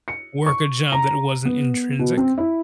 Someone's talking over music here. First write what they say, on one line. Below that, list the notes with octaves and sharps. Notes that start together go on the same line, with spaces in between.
work a job that wasn't intrinsic,
C#7
C#6
A#5
B3
B2
C4
E4